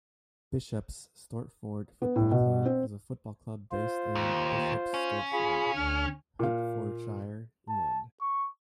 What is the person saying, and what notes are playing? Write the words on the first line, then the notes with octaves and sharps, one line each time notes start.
Bishop's Stortford Football Club is a football club based in Bishop's Stortford, Hertfordshire, England.
B3
A2
B2
C4
F4 C5
D#2
C#4
F4 G#4 B5
D2 D3 F6
A#2 F5
A5
C#6